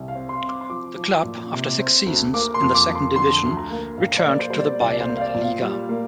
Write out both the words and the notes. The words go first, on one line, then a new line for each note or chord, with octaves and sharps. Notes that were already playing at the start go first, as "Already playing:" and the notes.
The club, after six seasons in the second division, returned to the Bayernliga.
Already playing: C2
F5
C4
C6
C4
D6
C6
F3 D6
F3
A#2
C3
C4
D2
A#3 D6
C6
F2
D6
F2
C6
D3 C6
D2
A#5
A#3
A#1 F5
D5
A#3
C5
G3 C5
D5
C2 D5
D5
C5
A#3
F5
D5
A#2
F5
G3
A#3